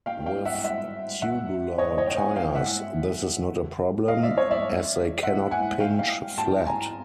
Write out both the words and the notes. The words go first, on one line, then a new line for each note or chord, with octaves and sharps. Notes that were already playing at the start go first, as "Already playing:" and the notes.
With tubular tires, this is not a problem, as they cannot pinch flat.
F5 G5
F5 G5
E5 F#5
E5 F#5
E5 F#5
C#5 D#5
C#5 D#5
G5
F#5 G#5
F5 G5
E5 F#5
D#5 F5
D5 E5
C#5 D#5
D5 E5
E5 F#5
F#5 G#5
F5 G5
F5 G5
G5 A5
G#5 A#5